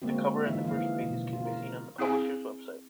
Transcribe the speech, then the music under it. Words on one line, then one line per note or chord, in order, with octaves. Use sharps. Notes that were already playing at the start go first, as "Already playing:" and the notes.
The cover and the first pages can be seen on the publisher's website.
D3 G#3 A#3 C4 F#4
D3 E3 D#4 F4 E5
E3 F3 A#3 F5
B2
C#3 F4
A#4
C4 E4 G#4 F5 G#5